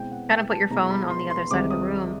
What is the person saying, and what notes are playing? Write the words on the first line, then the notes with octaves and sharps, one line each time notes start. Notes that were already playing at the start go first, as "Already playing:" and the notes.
kinda put your phone on the other side of the room.
Already playing: B2 G#3 C4 E4 G5
F#5
G5
A5
B2 G#3 B3 E4 A#5
A#5
B5
C6
C6
C2 C3 D#3 G#3 C4 D6
D#6